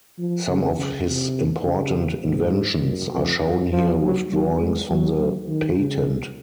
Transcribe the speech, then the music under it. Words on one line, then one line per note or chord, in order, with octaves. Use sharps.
Some of his important inventions are shown here with drawings from the patent.
F3
C#3
C#3
C3
C#3
G#2
F#2
F2
F#2
F3
F#3
F#3
G#3
F#3
F#3
D#3
C#3